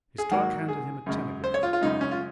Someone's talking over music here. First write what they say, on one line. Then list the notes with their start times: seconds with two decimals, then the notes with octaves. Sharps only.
His clerk handed him a telegram.
0.18 G#4
0.31 G#2 D#3 F#3 A#3 F#4
0.68 G#4
1.06 F#2 C#3 G#3
1.44 C5
1.54 C#5
1.63 F4
1.73 F4
1.81 F#2 C#3 G#3 D#4
2.01 C#4
2.11 F4